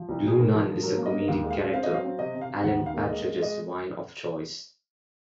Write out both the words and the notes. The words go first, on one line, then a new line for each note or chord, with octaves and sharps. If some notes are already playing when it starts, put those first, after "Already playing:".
Blue Nun is comedy character Alan Partridge's wine of choice.
Already playing: F3
C2
C2 G#4
G#2 A#4
F3
F3
F#3 A#4
A#3
D#5
A#3
D#2 F5
G#3
F5
C#3
C4 F5
D#5
F#3
F5
C4
C3 D#5
C3
F5
C3
D#2 F#5
D#2
F5
A#3
G#3 D#5
G#3
G#3 D#5